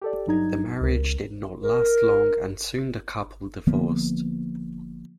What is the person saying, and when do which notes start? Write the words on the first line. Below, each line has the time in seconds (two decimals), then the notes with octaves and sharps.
The marriage did not last long and soon the couple divorced.
0.01 G4 A4 D5
0.27 G2 F#3 D#4 A#5 G#6
0.81 C#2 A#4
1.63 A#4
3.67 D3 F3 A#3 B3